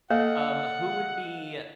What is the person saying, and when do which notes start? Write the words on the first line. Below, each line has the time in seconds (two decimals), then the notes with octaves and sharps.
Um, who would be
0.11 A#3 A4 D#5 F5 F#5